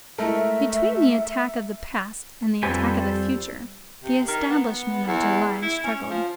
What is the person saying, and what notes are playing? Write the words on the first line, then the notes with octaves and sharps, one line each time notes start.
Between the attack of the past and the attack of the future, the establishment of July struggled.
G#3 A3 E4 A4 A#4 E5
F2 G3 G4 A4 B4 C5 G#5
C3
D#3
B3
E2
E4
C#4
F3